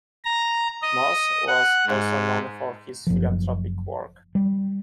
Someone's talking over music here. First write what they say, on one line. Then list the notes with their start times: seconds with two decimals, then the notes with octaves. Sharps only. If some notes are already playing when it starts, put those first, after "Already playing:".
Mosse was also known for his philanthropic work.
0.25 A#5
0.82 D#5
1.47 F#5
1.87 G#2
3.07 F#1 F3
4.35 G3